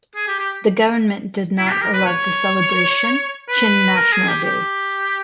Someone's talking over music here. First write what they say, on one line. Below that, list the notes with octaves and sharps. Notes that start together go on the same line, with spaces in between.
The government did not allow the celebration Chin National Day.
G#4
G4
G4
E4
G4
A#4
B4
C#5
B4
A#4
G#4
G4
G4